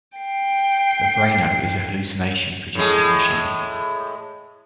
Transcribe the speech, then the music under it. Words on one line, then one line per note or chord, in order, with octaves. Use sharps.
The braino is a hallucination-producing machine.
G5 C7
A2 G#3